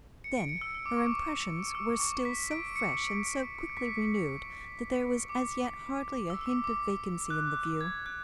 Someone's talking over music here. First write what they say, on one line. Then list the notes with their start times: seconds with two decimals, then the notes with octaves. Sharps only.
Then her impressions were still so fresh and so quickly renewed that there was as yet hardly a hint of vacancy in the view.
0.24 C#7
0.37 D7
0.49 C#7
0.61 E6
0.75 E6
0.86 D6
0.97 C#6
1.07 D6
1.75 E6
2.00 C#6
2.25 B6
2.51 D7
2.76 C#7
3.77 B6
5.29 D6
6.30 E6
6.41 E6
6.46 D6
6.64 D6
7.30 F#6
7.81 G#6
8.06 F#6